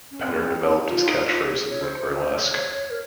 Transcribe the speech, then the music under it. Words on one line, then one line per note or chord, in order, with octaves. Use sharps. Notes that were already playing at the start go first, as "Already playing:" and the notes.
Penner developed his catch phrases in burlesque.
C#4
C4
A#3
C4
C#4
D#4
F4
D#4
F4
G4
G#4
C#5
C5
C5
C#5
A#4